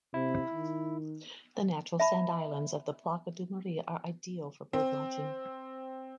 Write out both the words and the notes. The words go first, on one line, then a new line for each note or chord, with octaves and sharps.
The natural sand islands of the Place du marais are ideal for bird watching.
C3 E4
D#3
E5 A5 B5
C4